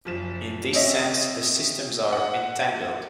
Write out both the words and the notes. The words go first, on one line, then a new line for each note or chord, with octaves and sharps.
In this sense, the systems are "entangled".
F#1 F3 E7
C4 C#4 D#5 E5
F#5